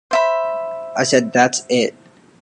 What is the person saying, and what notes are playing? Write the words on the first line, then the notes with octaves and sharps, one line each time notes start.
I said, 'That's it.
C5 E5 B5